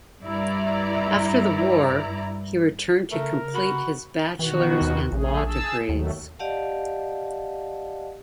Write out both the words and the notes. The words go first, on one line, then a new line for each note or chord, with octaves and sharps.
After the war, he returned to complete his bachelor's and law degrees.
G2 E4 D5 A#5
C#3 A3 A#4
F#4 B5
B2 D#3 E3 F#4
D#2
A#1 A3 G#4
G#4 A5 E6
D#2 D#3 F#3 A3
G4 D5 D#5 F5 F#5 A5